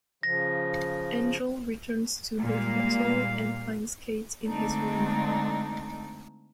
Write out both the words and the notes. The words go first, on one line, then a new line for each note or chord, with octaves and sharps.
Angel returns to the hotel and finds Kate in his room.
C#3 F3 A#6
A#2 G3 G#3 A#3 F5
D3 G#3 A3 C4 D4 D#4